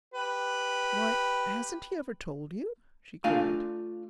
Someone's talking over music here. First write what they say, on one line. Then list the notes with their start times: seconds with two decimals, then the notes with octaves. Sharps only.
"Why, hasn't he ever told you?" she queried.
0.14 G4 B4
3.24 A3 D4 F4 D5 F5 G#5